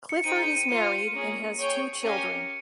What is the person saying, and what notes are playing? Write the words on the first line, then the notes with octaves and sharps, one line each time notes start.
Clifford is married and has two children.
C#7
D#4 G#4 C5 G5 D#7
C#7
D#7
D#7
F4 C5 F5 C#7
D#7
D#7
A#3 C#4 G#4
G#4 C#5 G5
C#4 G4 A#4 F5 G#5 D#7
C#7